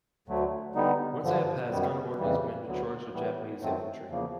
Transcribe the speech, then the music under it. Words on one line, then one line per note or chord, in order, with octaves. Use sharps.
Once they had passed Khan ordered his men to charge the Japanese infantry.
D2 D3 F#3 A3
D3 G3 B3 D#4
G2 D3 F3
F#2 D#3 G3 B3
F2 C#3 E3 G3
D2 D3 F#3 B3
A2 E3 G3 B3
F#2 D#3 F#3 A3 C4
E2 C#3 F3 A#3